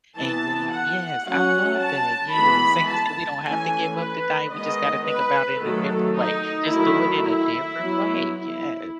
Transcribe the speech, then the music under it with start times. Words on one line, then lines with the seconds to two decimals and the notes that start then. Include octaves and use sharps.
and then yes, I love that. Yes, and you said we don't have to give up the diet, we just gotta think about it in a different way. Just do it in a different way. Yes,
0.17 E3 B3 A5
0.71 F#5
1.25 F#3 C#4 F#5
1.80 A5
2.34 E3 G#3 B3 B5
2.90 A5
3.44 E3 A3 C#4 G#5
3.97 B4
4.52 D#3 G#3 B3 D#5
5.07 B4
5.61 D#3 F#3 A3 A4
6.16 D#4
6.70 D#3 F#3 A3 E4
7.24 E4
7.79 F#3 B3
8.34 E4